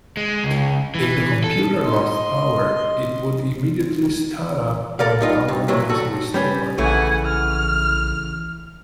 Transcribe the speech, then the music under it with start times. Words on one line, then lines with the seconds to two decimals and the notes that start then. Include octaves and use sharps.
If the computer lost power, it would immediately start up when power was restored.
0.17 G#3
0.44 C#2
0.95 E3
1.44 A4
1.82 D#5 C6
4.99 A4 A#4 D5 F5
5.21 G3 D#4 F4
5.48 G2
5.68 A#2 E3 F#3
5.89 C2 F#4 A4
6.34 G3 C#4 B4
6.78 A#1 C#3 E3 A3 F#5 G#5
7.25 F6